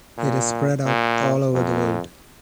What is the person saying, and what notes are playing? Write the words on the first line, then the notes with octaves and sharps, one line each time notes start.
It is spread out all over the world.
A#2
A#2
F2